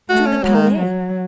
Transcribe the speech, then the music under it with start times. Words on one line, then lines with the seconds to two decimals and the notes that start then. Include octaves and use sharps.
"To the Palais."
0.09 A3 F#4
0.26 C#4
0.43 F#3 G#3
0.55 D#3
0.78 F#3